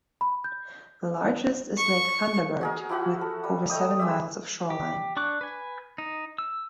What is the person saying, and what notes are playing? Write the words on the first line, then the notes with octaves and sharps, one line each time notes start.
The largest is Lake Thunderbird with over seven miles of shoreline.
B5
G6
C#6
F#4 G#4 A#4
F3 E4 F#4 F#5
A4
G3
A3 D#5 G5 D#6
G#3 C4 G4 E5
G4
D4 C#6 D6 F#6
B4 G#5
D#4
E6